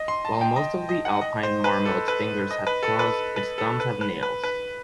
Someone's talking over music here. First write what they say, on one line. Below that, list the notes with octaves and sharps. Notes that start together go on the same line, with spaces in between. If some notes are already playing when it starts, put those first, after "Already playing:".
While most of the alpine marmot's fingers have claws, its thumbs have nails.
Already playing: D#5
C6
A5
G5
D#5
D#5
F#5
D#5
C5
B4
A4
B4
D#5
B4
A4
B4
B4
A4
B4
B4
B4
B4